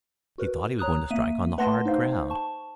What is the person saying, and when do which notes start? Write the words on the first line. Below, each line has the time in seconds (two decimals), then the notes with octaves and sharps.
He thought he was going to strike on the hard ground.
0.38 F#4 A#4 B4
0.79 C#5 A#5 D#6 F#6
1.11 A#3 E5 D#7
1.58 A3 B4 F#5 A5 C6 A#6
1.85 D#4 C5 F5
2.30 A5 C#6